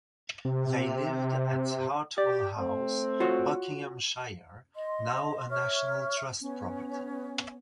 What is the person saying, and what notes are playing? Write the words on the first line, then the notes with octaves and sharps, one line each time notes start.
They lived at Hartwell House, Buckinghamshire, now a National Trust property.
C3
G4 D5
A3 C4
F4 F#4 C#5
D#5 C6
C#5 E5 C#6 F6
B3 C#4